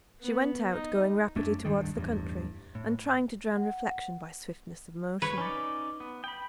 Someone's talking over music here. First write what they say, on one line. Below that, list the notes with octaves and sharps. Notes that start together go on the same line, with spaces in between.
She went out, going rapidly towards the country, and trying to drown reflection by swiftness of motion.
B3
D#4
F#2 A3 C#4 D4
D1 G2 D#3 G3
A1 E2 G2
A2
F#5
B4 C#5
C#4 D#4 D5
B3
G5 B5